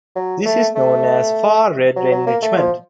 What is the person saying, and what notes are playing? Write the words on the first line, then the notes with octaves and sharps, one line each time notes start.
This is known as far red enrichment.
F#3
A3
A3
F#3
F#3
A#3
A3
F3